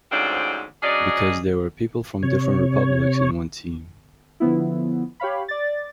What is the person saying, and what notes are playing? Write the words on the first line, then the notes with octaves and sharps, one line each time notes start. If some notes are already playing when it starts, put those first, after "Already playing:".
Because there were people from different republics in one team.
D2 G#2 F3 C4 C#4 D5
F#3 C#4 D4 G#4 D5 D#5
C3 C#5
D3 F3 B3 E4
G4 C#5 F5 B5
D5 A6